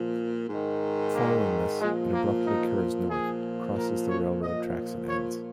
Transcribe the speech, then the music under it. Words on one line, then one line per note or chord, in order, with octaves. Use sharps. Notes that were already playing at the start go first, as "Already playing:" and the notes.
Following this, it abruptly curves north, crosses the railroad tracks and ends.
Already playing: A#2 F3
G#2 D#3
A#3
A#2 F3 G#3
A#3
D#4
A#2 F3 G#4
A#4
C#5
A#2 F3 D#5
C#5